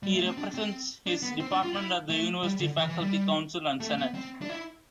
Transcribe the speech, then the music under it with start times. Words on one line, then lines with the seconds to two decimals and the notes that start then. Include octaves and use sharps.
He represents his department at the University Faculty Council and Senate.
0.03 G3
0.14 A3
0.26 C4
0.37 D4
0.54 C4
1.07 D4
1.22 B3
1.40 C4
1.51 D4
1.63 F4
1.75 E4
2.10 A3
2.43 G3
2.60 D3
2.77 E3
2.89 E3
3.01 G3
3.80 A3
3.98 B3
4.15 C4
4.42 D4
4.49 E4